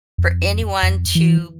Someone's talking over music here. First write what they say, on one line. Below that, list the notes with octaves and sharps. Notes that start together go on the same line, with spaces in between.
for anyone to
F2
F2
E3